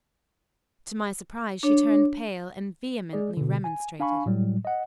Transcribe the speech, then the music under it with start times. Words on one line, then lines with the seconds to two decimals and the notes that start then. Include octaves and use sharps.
To my surprise she turned pale, and vehemently remonstrated.
1.63 D4 C#5
3.13 G#3 G#4 D5
3.37 B2 D3
3.64 G#5
4.00 D4 F5 G#5 B5 C#6
4.26 A2 F#3 G3
4.65 D#5 F#5